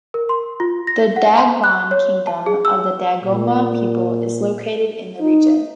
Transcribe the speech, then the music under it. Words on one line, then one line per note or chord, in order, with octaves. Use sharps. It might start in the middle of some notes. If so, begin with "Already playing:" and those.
The Dagbon Kingdom, of the Dagomba people, is located in the region.
A#4
C6
F4
A#6
F#5
C6
F#6
C#5
A5
G#4
E6
A#2
D#4